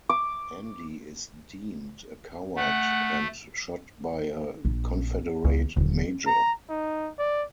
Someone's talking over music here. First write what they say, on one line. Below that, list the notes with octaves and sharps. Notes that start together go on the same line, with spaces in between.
Andy is deemed a coward and shot by a Confederate major.
D6
A3 F#5
A#1
C#2 D#3
D#1 D3 F#3
A#5
D#4
D5